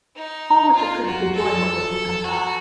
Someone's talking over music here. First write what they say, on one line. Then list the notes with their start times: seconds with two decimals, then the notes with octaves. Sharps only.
Hall was recruited to join what would become Guy.
0.16 D#4
0.75 F4
1.06 F#4
1.35 A4
2.24 F#4